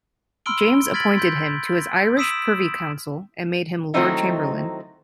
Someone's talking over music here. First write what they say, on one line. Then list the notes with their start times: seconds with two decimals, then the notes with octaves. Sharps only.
James appointed him to his Irish Privy Council and made him Lord Chamberlain.
0.46 B5 C6 E6 F6 D7 G7
0.94 F6 G#6 A6 B6 D7 F#7
1.18 C6 G6 B6
2.17 D#6 E6 B6 D7 E7 F#7
3.94 D#3 F#3 A3 C4 D#4 E4